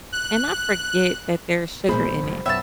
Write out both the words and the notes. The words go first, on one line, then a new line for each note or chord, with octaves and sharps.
and I forget that there's sugar in it
F#6
A#1 A#2 G#3 B3 G#4 C5 B5
F1 F2 G3
F#2 B2 B3 C#5 E5 G5 A5 E6